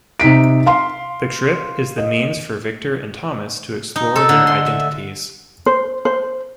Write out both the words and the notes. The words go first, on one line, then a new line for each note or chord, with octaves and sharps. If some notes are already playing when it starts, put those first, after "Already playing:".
The trip is the means for Victor and Thomas to explore their identities.
C3 D#4 B6 D7
F5 C6 C7
D#5
D#4
A4
D3
C6
E5
C5
C5